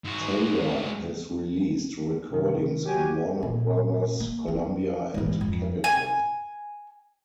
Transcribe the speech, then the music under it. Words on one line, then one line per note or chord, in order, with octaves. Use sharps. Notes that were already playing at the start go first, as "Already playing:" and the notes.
Taylor has released recordings on Warner Brothers, Columbia, and Capitol.
G#2 F#4
C3 D#3
F#3 F#4 G4 G#5
A#2
A#3
C4
A1 G#2
F2
G#5